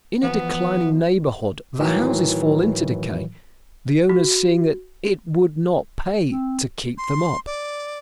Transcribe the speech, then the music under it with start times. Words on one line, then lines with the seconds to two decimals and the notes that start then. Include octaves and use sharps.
In a declining neighborhood the houses fall into decay, the owners seeing that "it would not pay" to keep them up.
0.23 E2 F3 B3
1.78 A2 D#3 E3 F#3
4.09 F#4
6.30 C4
6.98 C6
7.46 D5